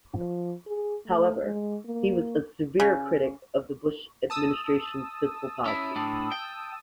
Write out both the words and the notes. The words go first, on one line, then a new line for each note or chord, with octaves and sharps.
However, he was a severe critic of the Bush Administration's fiscal policy.
F3
G#4
A3
G#3
A#3
C#3
A5 D#6 E6
C#4 E4
A2 D4
G5